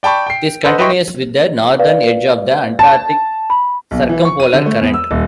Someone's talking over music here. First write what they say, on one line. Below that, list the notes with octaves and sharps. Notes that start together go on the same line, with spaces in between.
It is continuous with the northern edge of the Antarctic Circumpolar Current.
D5 G5 A5 B5 C#6
G5 C7
A4 B4 C5 D#5 F#5
B4 D#5 E5 G5 C6 C#6
B4 D5 F5
A5
B5
B1
E3
C#6
D#7
D3
A3
E2
E6
D#1